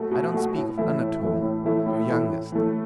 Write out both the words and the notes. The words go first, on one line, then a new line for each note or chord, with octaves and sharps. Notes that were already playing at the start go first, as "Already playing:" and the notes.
I don't speak of Anatole, your youngest.
Already playing: B2 A3 F#4
B2
A3 F#4
A2
E3 A3 E4
A2
E3 A3 E4
A2
E3 A3 E4
A2
E3 A3 E4
A2
E3 A3